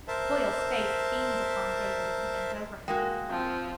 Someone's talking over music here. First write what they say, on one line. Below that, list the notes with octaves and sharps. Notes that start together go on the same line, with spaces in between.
Hoyle's face beamed upon David as he bent over him.
A#4 C5 E5 A5
G#3 A#3 F#4 A#4 G5
F3 C4